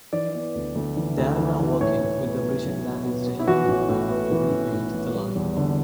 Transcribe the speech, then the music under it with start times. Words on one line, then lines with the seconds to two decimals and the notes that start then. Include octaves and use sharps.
They are now working with the Bridgend Valleys Railway Company to rebuild the line.
0.13 E3 D5
0.34 B3
0.55 D2
0.75 D2
0.97 E3
1.18 D2
1.38 E3
1.59 E3
1.80 A2 C#5
2.01 A2
2.22 B3
2.43 F#3
2.64 B1
2.84 B3
3.06 B3
3.26 B3
3.39 E4
3.47 E3 F#4
3.68 A1
3.89 A2
4.09 B3
4.31 E3
4.52 A1
4.73 A2
4.94 A1
5.14 G3
5.35 E2
5.57 D3